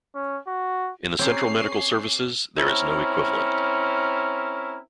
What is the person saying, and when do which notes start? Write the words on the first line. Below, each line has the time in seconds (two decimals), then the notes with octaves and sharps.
In the Central Medical Services there is no equivalent.
0.15 C#4
0.47 F#4
1.19 C4 C#4 G#4 C#5 A#5 D6 C7
2.57 C4 C#4 E4 A#4